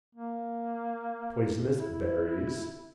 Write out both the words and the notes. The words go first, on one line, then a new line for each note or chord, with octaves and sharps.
Poisonous berries.
A#3
E4